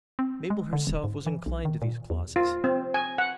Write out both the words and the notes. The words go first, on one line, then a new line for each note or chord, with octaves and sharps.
Mabel herself was inclined to these clauses.
C4
G#3
D3
D#1
G#2
E3
B1
D#3
A#2
E2
F4
C4
G#5
F#5